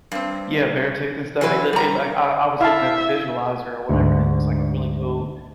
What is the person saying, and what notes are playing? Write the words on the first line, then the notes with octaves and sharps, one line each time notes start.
Yeah, Beartooth and stuff, it l it, like, I I was looking at the visualizer or whatever, and it looks like a really cool,
G2 C4
E3 F#3 B4 C5
G3 A#5
E4 E5 F5 A5
D2 G#2